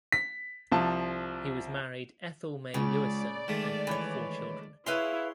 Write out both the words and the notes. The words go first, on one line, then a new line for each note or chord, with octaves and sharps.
He was married Ethel Mae Lewison and had four children.
B6
C2 F3 A5
C#2 C#3 D5
D#3 G#3 A3
E3 C#5
E4 G#4 B4 C#5 E5 F5 C6